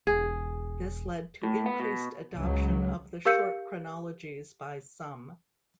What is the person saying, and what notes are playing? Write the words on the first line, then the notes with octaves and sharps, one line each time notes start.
This led to increased adoption of the short chronologies by some.
E1 G#4
A2
B3
B2
C#2 F#3
G4 A#4 F5 E6 G6 C#7